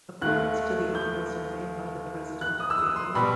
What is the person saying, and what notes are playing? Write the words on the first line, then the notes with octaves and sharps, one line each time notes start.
Appointments to the office are made by the President of India.
D#2 D#3 A3 F#6
G6
F#6
D#6
E6
D#6
C6
B2 G3 B5